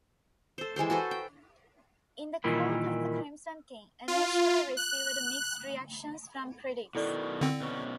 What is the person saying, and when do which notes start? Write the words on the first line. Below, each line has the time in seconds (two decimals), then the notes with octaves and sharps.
"In the Court of the Crimson King" initially received mixed reactions from critics.
0.58 A4 C5
0.76 E3 G#3 G4 C5
0.90 F#4 A4 B4 C5
1.11 G5
2.44 A#2 D#3 E3 G3 E4
4.08 F4
4.77 F#6
6.95 B2 D#3 E4 A4 D5
7.41 D3 C4
7.61 B2 C#4